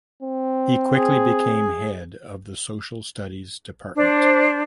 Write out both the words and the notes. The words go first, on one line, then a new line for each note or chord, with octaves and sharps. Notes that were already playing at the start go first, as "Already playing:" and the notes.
He quickly became head of the social studies department.
C4
G#4
D4 C5